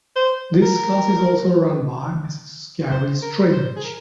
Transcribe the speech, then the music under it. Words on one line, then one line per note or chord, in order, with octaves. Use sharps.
This class is also run by Mrs. Cari Strange.
C5
A#4
C5
A#4
C5
G#4
A#4